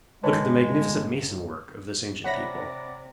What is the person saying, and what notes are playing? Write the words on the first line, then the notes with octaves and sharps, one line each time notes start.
Look at the magnificent mason-work of this ancient people!
G1 C#2 A2 G#3 B4 C#5 A5
C3 G4 C#5 D5 E5 F#5 B5 A#6